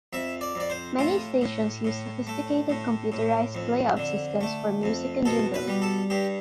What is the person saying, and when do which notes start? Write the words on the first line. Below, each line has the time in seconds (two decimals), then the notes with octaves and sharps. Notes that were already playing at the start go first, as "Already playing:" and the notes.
Many stations use sophisticated computerised playout systems for music and jingles.
0.13 F2 E5
0.41 D5
0.55 F2 D5
0.70 C5
0.99 A2 F4
1.41 A2
1.84 A2
2.27 A3
2.70 A2
3.12 A2
3.55 F2
3.97 D3
4.41 A3
4.83 F2
5.25 B2 A4
5.54 B4
5.68 G3
5.82 A4
6.10 G2 G4